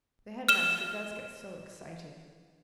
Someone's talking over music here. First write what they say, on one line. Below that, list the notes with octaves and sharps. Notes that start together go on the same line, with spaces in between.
The headmaster does get so excited.
F6 E7 G7